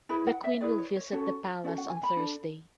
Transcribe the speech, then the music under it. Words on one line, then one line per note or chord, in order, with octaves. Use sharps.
The queen will visit the palace on Thursday.
E4 G#4 B4 B5
F#5
E5
E4 G#4 B4 D5
C#5
C#5
C#4 F#4 A4 C#5
C#4 F#4 A4 D5
F#5
G#5
B5
D4 A4